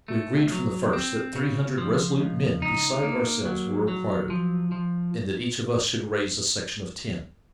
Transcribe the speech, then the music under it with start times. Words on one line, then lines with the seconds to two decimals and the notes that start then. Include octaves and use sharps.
We agreed from the first that three hundred resolute men besides ourselves were required, and that each of us should raise a section of ten.
0.08 A3
0.51 F#3
0.93 C4
1.36 C#3
1.78 F3
2.19 C#2
2.62 D#4
3.03 A#3
3.45 F#3
3.88 F#3
4.30 F3
4.72 F3